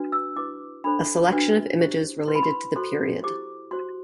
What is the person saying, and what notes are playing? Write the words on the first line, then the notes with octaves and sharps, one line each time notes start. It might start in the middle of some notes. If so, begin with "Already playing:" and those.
A selection of images related to the period.
Already playing: D4 F#4 B4
E6
E4 B4 D6
D4 A4 C5 B5
D4 F#4 B4
E4 G4 C5
E4 B4 C6
B5
C6
F#4 A4 C5 C6
E4 G4 C5 D6
F#4 C5 C6